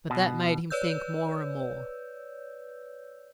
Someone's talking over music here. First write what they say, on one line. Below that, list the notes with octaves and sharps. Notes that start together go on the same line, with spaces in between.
But that made him think more and more.
B2
B4 C#5 D5 E6 G6